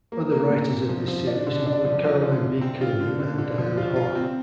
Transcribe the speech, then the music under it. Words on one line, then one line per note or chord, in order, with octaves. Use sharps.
Other writers of this series include Caroline B. Cooney and Diane Hoh.
A#3
A#3
A#2
C3
F3
F3
D4
D3
D4
F3
F3
D3
C3
C4
F4
D3
D3
D3
F3
F4
F4
C4